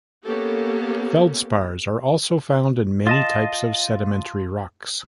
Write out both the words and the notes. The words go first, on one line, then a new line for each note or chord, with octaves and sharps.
Feldspars are also found in many types of sedimentary rocks.
A#3 B3 C#4 G4 A4
F4 D#5 A5